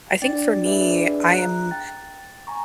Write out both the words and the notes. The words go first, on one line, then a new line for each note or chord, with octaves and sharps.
I think for me, I am
D4 D5 G5 A6
D4 E4 G#4 B4 D5 E5
A#5 F#6
G5 A6
G#5 A#5 C#6